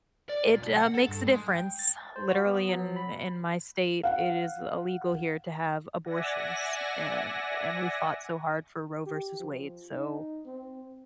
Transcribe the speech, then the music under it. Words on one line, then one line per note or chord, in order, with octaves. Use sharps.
it, uh, makes a difference. Literally, in in my state, it is illegal here to have abortions, and and we fought so hard for Roe v. Wade, so
D5
A#2
B1
F#5
A4
G2
G#3
G5
A6
C5
F#4
B3
F#3
B5
F5 F#5
D5 E5 F#5 G#5 A#6
G4
F3
D#4
C4